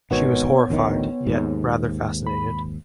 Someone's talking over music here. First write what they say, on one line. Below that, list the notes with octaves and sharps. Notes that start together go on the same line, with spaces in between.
She was horrified, yet rather fascinated.
G#1 B2 D#3 B3 C#5
A1 D2 D#3
D#2 G#2
B5